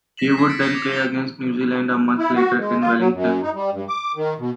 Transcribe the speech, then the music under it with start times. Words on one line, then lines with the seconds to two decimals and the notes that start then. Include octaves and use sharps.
He would then play against New Zealand a month later in Wellington.
0.17 A#6 B6 E7 F#7
0.37 G#6 B6 C7
0.49 A6 B6 C#7 D7
0.61 D#6 G6 G#6 A#6 C7 G7
0.75 D6 D#6 G#6 A#6 C#7 F7
0.92 A6 C7 F7 G7
2.18 E4
2.35 F#4
2.58 G#3
2.80 F4
2.99 F#3
3.12 F#2
3.42 D#4
3.54 G3
3.72 G2
3.88 D6
4.16 D#3
4.39 B2